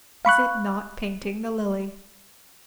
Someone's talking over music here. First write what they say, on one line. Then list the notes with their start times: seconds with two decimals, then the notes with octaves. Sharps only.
Is it not painting the lily?
0.25 F5 B5 C#6 F#6